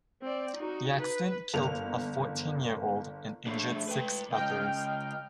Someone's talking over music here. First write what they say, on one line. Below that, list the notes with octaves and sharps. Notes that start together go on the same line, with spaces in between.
The accident killed a fourteen-year-old and injured six others.
C4 D5
D#4 F#4
B4
G1 A#3 F7
A3 D4 G#4
B4 G5
C#2 D#5 G5 F6